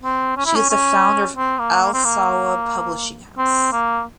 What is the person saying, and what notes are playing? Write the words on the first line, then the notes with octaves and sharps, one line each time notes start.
She is the founder of Al Salwa Publishing House.
C4
C#4
E4
C#4
C#4
C4
A#3
A#3
C4
A#3
C4
A#3